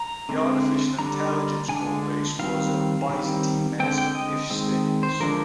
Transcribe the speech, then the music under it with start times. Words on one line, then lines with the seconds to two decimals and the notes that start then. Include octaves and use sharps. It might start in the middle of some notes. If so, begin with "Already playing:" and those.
The artificial intelligence codebase was a byzantine mess of if statements.
Already playing: A#5
0.29 D3 G#3 C4
0.99 D3 G3 D4 A#5
1.69 D3 G#3 D4 G#5
2.39 D#3 G3 C4 F5
3.09 D#3 G3 C4
3.80 D3 G#3 C4 G5
3.98 G5
4.15 D#5
4.50 D#3 G#3 C4
5.03 C5
5.20 D3 F3 G#3 D4 A#4